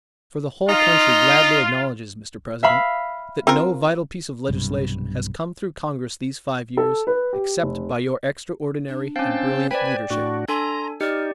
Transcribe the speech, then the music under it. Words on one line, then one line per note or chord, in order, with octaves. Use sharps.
For the whole country gladly acknowledges, Mr. President, that no vital piece of legislation has come through Congress these five years except by your extraordinary and brilliant leadership.
D#4 F4
E5 F5 B5
C4 F4 A#4
B1 G2 C3
A4
B4
G4
F1
D4
C4 C#4 F5 G5 A5
B4 C5 D5 G5 G#5 B5
A2 D4 F#4 C#6
D4 A4 G#5 A#5 C6
D#4 G4 D5 F6